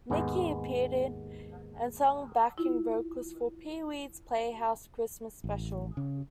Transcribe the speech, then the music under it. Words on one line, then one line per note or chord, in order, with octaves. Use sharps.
Niki appeared in, and sang backing vocals for Pee-Wee's Playhouse Christmas Special.
D#2 G#2 G#3 B3
E4 F4
A1
C#3